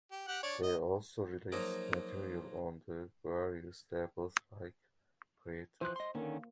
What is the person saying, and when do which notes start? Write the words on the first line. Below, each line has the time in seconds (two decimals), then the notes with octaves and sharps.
They also released material on the various labels Ike created.
0.12 G4
0.28 G4 F#5 G5
0.43 D4 C#5 D5
0.63 D#5
1.52 F3 F#3 A#3 D#4 G#4 A#4
5.81 E3 F3 C5 F#6
5.96 D#5 C6
6.15 D3 D#3 A#3 C#4